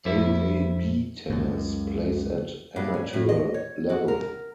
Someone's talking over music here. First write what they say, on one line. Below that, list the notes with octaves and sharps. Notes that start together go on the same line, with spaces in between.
AaB Tennis plays at amateur level.
F2 E4
C#2 F#2
G2
C#4
A2
D#5
C#5
F#4
A#4